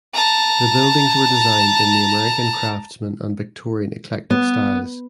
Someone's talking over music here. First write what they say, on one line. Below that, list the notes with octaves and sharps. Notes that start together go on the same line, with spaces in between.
The buildings were designed in the American Craftsman and Victorian Eclectic styles.
A5 A#5
B3